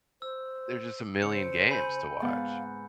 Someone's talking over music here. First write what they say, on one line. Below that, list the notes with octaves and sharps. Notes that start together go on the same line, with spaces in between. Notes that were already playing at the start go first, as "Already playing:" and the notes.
there's just a million games to watch.
C5 E6
C#3 C5 C#7
G#5 B5 G6
G#2 B3 F5 F#5